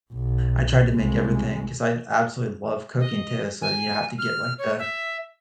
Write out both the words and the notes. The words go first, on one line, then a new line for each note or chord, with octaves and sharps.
I tried to make everything 'cause I absolutely love cooking too, so you have to get, like, the,
B1
C2 G#3
D#5
G#5
F6
C#5
E5